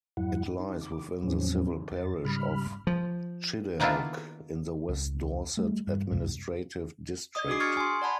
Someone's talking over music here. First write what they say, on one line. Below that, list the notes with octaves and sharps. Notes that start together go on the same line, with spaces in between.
It lies within the civil parish of Chideock in the West Dorset administrative district.
F2 G#2 F#3 E4 F#5
D#4
D6
E2 A2 F3 F#3 C4 C#4
F2 A6
G#2 C#3 G3 B5 F6
F3
D#3 A#3 B3 D4 E4 F4
C#2
G3 A3
G2
C#2 F#2 C3 G#3
D5 D#5 D#6
D4 F#4 G#4 D6 C7
C#6 D#6 F6 G#6 A6 C#7
G#5 C6
D5 F#5 A5 B5